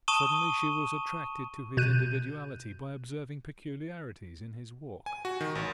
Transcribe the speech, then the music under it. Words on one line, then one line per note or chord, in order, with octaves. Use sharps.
Suddenly she was attracted to his individuality by observing peculiarities in his walk.
A5 C#6 D#6 D#7 E7 G7
B2 F#6 G6 D#7
G#5
F#4
D#3
A1